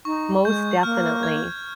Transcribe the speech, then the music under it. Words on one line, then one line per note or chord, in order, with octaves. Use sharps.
Most definitely.
D#4 C#6
G#3 G6
A#3 F6
G#6